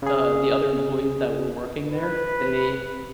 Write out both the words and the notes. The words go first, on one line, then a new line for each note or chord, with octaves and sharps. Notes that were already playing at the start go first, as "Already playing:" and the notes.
uh, the other employees that were working there, they
C#3 G#4
B4